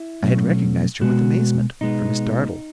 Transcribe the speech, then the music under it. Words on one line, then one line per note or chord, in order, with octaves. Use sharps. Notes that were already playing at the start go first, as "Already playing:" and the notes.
I had recognized her with amazement, for Miss Dartle.
Already playing: E4
B2 F#3 A3 C#4
B2 G#3 B3 F#4
B2 G#3 B3 D#4